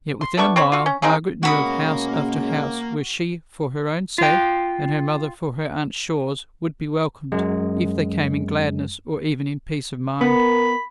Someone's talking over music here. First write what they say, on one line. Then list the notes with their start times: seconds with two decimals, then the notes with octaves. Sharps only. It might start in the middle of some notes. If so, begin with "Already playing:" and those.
Yet within a mile, Margaret knew of house after house, where she for her own sake, and her mother for her aunt Shaw's, would be welcomed, if they came in gladness, or even in peace of mind.
0.21 C6
0.37 A3 B3 D4 C#6
0.56 C4 C#5 B5
0.72 F4 F#4
0.86 C#4
1.02 C#3 G#3 C4 D#4
1.43 B2 G#3 A#3 C#4 F#4 A#4 B5 D#6
4.18 F4 G5
7.32 F#2 G#3
10.21 B3 A#4 B5